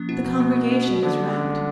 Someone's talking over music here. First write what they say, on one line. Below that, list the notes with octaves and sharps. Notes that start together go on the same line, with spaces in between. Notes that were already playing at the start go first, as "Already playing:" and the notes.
The congregation is rapt.'
Already playing: F3 A#3 C#4
B2 E4
F3
A#3
A#3
C#4
F#4
D3 A#3
A#3
C#4
G3